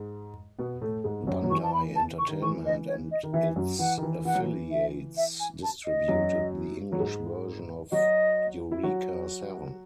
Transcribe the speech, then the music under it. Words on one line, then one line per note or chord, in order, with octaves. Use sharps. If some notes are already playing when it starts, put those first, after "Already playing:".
Bandai Entertainment and its affiliates distributed the English version of "Eureka Seven".
Already playing: G#2 G#3
B2 B3
A2 A3
G#2 G#3
F#2 F#3
F#3
E3 C#6
A5
B5
A5
C#6
D#3
E3 C#6
D#5
C#5
D#5
D#3
E3 E5
F#2 F#3
E3 F#5
D#3
E3
E3 F#5
F#3
E3
E5
E5
G#5
A5
D#5
F#2 F#3
F#3
G#2 G#3
F#3 F#4 D#5
E4
F#3 F#4